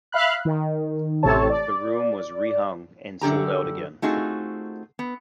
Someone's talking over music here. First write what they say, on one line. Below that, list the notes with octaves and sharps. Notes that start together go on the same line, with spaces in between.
The room was re-hung and sold out again.
E5 F5 B5 F#6
D#3
A1 A2 C3 A4 C#5 A5
D5
F#2 D3 G4 A#5
A3 C4 D#4 F4 F#4 G#4
B3